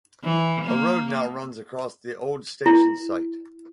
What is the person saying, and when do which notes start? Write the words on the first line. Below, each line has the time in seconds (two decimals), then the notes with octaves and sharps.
A road now runs across the old station site.
0.24 E3
0.64 A#3
2.66 E4